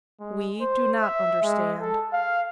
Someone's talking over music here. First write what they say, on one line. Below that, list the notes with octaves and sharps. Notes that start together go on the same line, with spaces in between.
We do not understand.
G#3
C5
E5
G#3
A4
F5